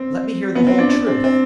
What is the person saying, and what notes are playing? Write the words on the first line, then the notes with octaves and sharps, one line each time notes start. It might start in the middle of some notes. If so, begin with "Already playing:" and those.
"Let me hear the whole truth."
Already playing: C4
B3
C4
D4
D4
C4
C4